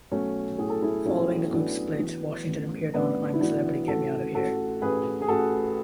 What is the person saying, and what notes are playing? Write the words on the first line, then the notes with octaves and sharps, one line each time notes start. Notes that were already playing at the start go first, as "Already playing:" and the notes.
Following the group's split, Washington appeared on I'm a Celebrity...Get Me Out of Here!
B1 A3 C#4
A2 G#4
A4
E4 G#4
B1 C#4 E4
B1 B3 D4
E3
A1
A1 B3 D4
E4
E3 D4 F#4
A1 F#4 A4
A1 F#4 A4
A1 G#4 B4
G#4
A1 F#4 A4